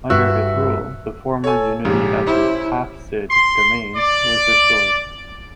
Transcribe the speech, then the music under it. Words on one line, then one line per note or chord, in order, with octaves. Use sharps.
Under his rule the former unity of the Hafsid domains was restored.
G2 F#4 E5
A4 C#5 G#5
A#1 G#2 C#3 G4
C#4 E4 C5
C6
D5